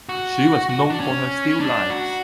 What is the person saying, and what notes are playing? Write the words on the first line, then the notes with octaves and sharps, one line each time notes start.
She was known for her still lifes.
F#4
F#4
D4
C#4
D4
F#4